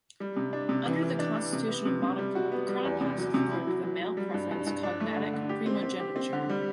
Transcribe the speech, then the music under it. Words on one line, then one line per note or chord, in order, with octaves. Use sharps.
Under the constitution of Monaco, the crown passes according to male-preference cognatic primogeniture.
G3
C3
D4
C3
E3
E3
D4
E3
C3
B3
C3
C3
G3
F#4
B3
G3
E2
C3
F#3
C3
E4
F#3
F#3
F#3
G3
G2
G2
G2
D4
A3
D3
D3
G4
C4
C4
G4
C4
D3
G3